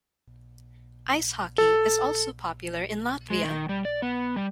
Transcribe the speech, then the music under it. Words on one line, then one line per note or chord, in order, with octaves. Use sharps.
Ice hockey is also popular in Latvia.
A4
G#3
D#3
G3
D5
B3
G3